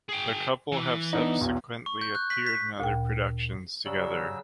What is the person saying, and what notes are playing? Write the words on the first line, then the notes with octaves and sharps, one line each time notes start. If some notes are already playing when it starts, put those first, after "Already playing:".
The couple have subsequently appeared in other productions together.
G#4 G5
E3
B3 D4 D#4
B1 E2
C#6
G6
F#6
B6
B6
D2 A#2 G5
C#3 F#3 G4 D5 E6